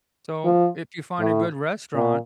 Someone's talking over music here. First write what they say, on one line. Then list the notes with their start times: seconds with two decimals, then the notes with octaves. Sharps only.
So, if you find a good restaurant,
0.45 F3
1.20 A2
1.94 A#2